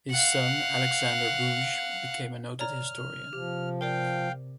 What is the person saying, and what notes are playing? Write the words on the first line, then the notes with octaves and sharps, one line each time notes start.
His son Alexander Bugge became a noted historian.
F5 F#5
C#5 D5 A#5 F6
C3 F3 G4
A#4 C5 D5 F5 G5